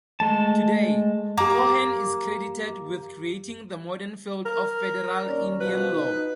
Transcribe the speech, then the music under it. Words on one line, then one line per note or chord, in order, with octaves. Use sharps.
Today, Cohen is credited with creating the modern field of Federal Indian Law.
G#3 A3 A5
F#2 A#3 G4
A#4
D#2 C#4 D5
B2 F3 F#4 B4
D#4